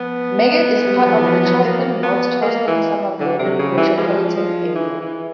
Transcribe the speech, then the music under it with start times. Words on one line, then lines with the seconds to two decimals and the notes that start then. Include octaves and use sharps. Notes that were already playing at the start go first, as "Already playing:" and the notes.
Meggett is part of the Charleston-North Charleston-Summerville metropolitan area.
Already playing: F3 B3
0.76 G#3
0.86 G3
0.96 F#3
1.06 F3
1.16 E3
1.26 F3
1.45 F#3
1.64 A#3
2.03 B3
2.42 A#3
2.68 E3
3.19 D3 F#3
3.39 C3
3.45 F#3
3.59 C#3
3.71 G3
3.78 E3
3.97 F3 G#3
4.37 F3
4.76 E3
5.01 E3